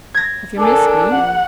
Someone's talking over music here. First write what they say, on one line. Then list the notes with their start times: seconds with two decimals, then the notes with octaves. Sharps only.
'Have you missed me?'
0.14 G#6 A#6
0.59 D4 A4 A#4 G#5
1.11 A#1 F#5